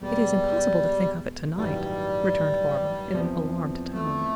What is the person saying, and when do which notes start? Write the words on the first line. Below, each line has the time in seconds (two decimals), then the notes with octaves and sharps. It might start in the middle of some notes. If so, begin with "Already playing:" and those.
"It is impossible to think of it to-night," returned Barbara in an alarmed tone.
0.01 E2 B2 G3 G#3
1.57 A1 G2 D#3 F#3 G3
3.13 E2 C3 F3
3.92 A3